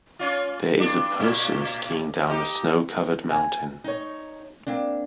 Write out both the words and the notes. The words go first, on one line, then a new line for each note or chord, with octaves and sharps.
There is a person skiing down a snow covered mountain.
C#4 F4
G2 D4
A2
D#4 G4
G#5
D#4 C#5
A#3 C4 D4